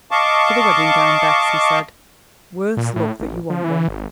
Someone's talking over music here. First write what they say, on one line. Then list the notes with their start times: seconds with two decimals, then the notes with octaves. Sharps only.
"For the wedding gown, Bess," he said; "worse luck that you want one!"
0.11 D#5 F5 A5 C#6 D6
2.77 A#2
2.96 A2
3.20 A1
3.50 F3
3.64 E3
3.88 G#1